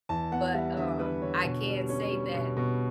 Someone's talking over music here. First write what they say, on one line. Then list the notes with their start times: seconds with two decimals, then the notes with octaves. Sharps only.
but, um, I can say that,
0.09 E2 A5
0.32 B3 F#5
0.54 G3 E5
0.77 D3 E5
0.99 G3 B4
1.22 D3 C#5
1.44 B2
1.67 G3
1.89 C#4
2.12 G3
2.34 B2
2.57 B2